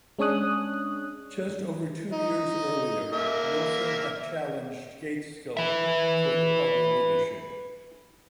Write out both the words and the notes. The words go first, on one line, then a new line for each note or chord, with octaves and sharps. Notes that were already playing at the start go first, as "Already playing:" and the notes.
Just over two years earlier Wilson had challenged Gaitskell for the party leadership.
G#3 C#4 D4 C#5 D#6 F#6
D#4
A#3 E5
B4 E5